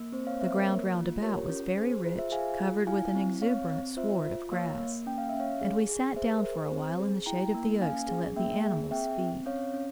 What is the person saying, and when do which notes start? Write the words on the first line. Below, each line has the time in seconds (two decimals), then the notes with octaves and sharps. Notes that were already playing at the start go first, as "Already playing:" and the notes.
The ground round about was very rich, covered with an exuberant sward of grass; and we sat down for a while in the shade of the oaks to let the animals feed.
Already playing: A#3
0.12 C4 C5
0.27 C#5 F5
0.40 C4 C5 E5
0.54 A#4 C#5
0.68 A#3
0.95 F4
1.22 G4 A#4 C#5
1.49 C#4
1.77 G#4 C5
1.91 C5
2.05 F4
2.19 C5 E5
2.32 G#4 F5 G#5
2.60 F4
2.87 E4 F5 G#5
3.15 C4
3.42 C4 C#5 F5
3.70 C4
3.97 F4 C5 E5
4.25 F4
4.51 A#3 C#5 F5
4.79 A#3
5.07 C#4 G5
5.18 F5
5.29 C#4 E5
5.40 C#5 F5
5.61 G#4
5.89 G#4
6.16 G#4 C5 E5
6.30 A#4
6.45 G#4 C5
6.72 C4 C5
6.99 G#4
7.26 E4 G5 A#5
7.54 A#3
7.81 C#4 F5 G#5
8.09 G#4
8.36 A#3 E5 G5
8.64 G#4
8.91 C4 E5 G5
9.19 C4
9.46 C#4 C#5 F5
9.74 C#4